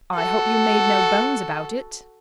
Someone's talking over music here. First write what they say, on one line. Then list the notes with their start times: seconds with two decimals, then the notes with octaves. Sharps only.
"I hope you made no bones about it."
0.14 F#4 A4